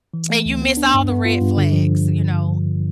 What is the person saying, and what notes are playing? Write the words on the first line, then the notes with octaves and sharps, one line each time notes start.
and you miss all the red flags, you know?
E3
A3
D2
B3
D4
G2
B3
F4
G2
D3
F3